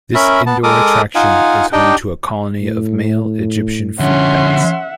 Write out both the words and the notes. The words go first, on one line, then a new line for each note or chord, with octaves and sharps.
This indoor attraction is home to a colony of male Egyptian fruit bats.
C#4 A#4 E5 B5
B3 A5
G#3 A4 A#4 D6 D#6
D#4 F4 F5 F#5 G#5
D4 D#4 G4 D#5 G5
A2
D3 F3 C#4 E5 F#5 C6